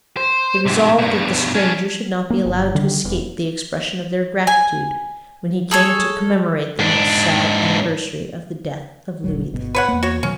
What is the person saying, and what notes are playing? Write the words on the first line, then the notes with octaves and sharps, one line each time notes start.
They resolved that the stranger should not be allowed to escape the expression of their gratitude when he came to commemorate the next sad anniversary of the death of Louis XVI.
C5
G#2 C3
G2 B2
C#4 D4
A#3
G1
D3 D#3 G3
E1 E2
G#5
G#4 A4 C#5
G#2 D4
D#1 A#1 F#3
G1 B2
B4 C#5 F#5
E2 A#3
F#4 C#5
B2 D#3 F#3 C#4